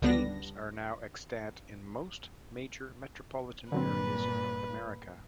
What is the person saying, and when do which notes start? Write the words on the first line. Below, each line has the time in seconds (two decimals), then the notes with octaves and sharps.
Teams are now extant in most major metropolitan areas in North America.
0.02 C#2 D3 G3 B3 D4 A#6
3.72 G2 A#2 D3 F#3 C4 B4